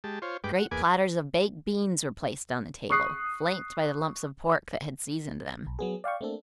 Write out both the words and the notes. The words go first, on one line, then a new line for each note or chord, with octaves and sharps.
Great platters of baked beans were placed on the table, flanked by the lumps of pork that had seasoned them.
G#3 G4 A5
F4 C5 C#5
G2 G#3 B4 G5 D6
F#5
E2 A#3 G#4 B4 G#5 D6
C#6 D#6 F#6 C7
B1
F#3 B3 G#4
D5 F5 G5 C#6
A3 A#3 C4 D4 A4